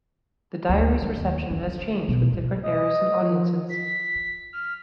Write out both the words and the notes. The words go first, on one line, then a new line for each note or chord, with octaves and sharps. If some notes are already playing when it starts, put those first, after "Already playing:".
The diary’s reception has changed with different eras and audiences.
D2
D2
D#2
C#4
D3
B2
B2
D#5
F3
B6
F6